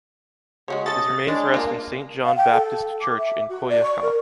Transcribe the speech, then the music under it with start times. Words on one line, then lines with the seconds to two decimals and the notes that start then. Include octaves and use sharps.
His remains rest in St John Baptist Church in Coyoacán.
0.68 C#3 G#3 F#4 C#5
0.86 C#4 A4 D#5 A6
1.28 G#3 D4 C#5
1.54 A#3 D4 F4
2.24 F5
2.37 G5
2.52 A4
3.01 D6
3.17 E5
3.49 F#4
3.69 D5
3.83 C#6
4.02 A#4